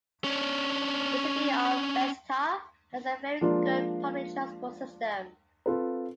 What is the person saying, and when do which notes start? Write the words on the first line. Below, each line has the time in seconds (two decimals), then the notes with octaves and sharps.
The City of Vechta has a very good public transport system.
0.24 C#4 D4
3.41 F3 G#3 A#3 D4 F4
5.66 C4 F4 A4 B4